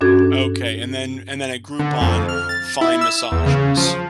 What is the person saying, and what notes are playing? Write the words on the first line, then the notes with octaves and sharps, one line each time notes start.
Okay, and then and then at Groupon, find massages.
G2 C#4 D4 F#4 A4 G#6
D3
F2
F6
A6
E4
E6
E2
C#3
F3